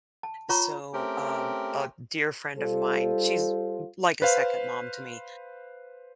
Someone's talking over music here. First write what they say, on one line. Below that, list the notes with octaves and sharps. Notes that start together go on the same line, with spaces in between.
So, um, a dear friend of mine, she's l like a second mom to me,
A5
F4 C#5 A#5 C#6
A3 C4 C#4 G4 A#4 G5
G3 F4 A4 C5
B4 C5 F5